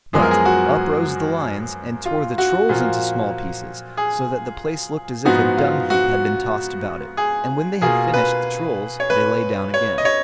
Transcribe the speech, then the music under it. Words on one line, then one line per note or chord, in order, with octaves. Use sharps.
But up rose the lions and tore the Trolls into small pieces, so that the place looked as if a dung heap had been tossed about it; and when they had finished the Trolls they lay down again.
F#2 F3 G#3 B3 G#4
A#4
G#4
F#4
F4
F#4
A#2 F3 A#3 F4
G#4
G#2 F3 B3 D#4 F#4
F4
F#4
G#4
B2 A#3 F4 G#4
B4
C#5
B4
C#5
D#5
C#5